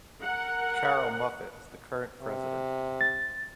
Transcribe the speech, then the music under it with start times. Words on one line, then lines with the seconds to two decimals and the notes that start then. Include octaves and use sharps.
Carroll Muffett is the current president.
0.22 A#4 F#5
2.21 C3
3.01 A6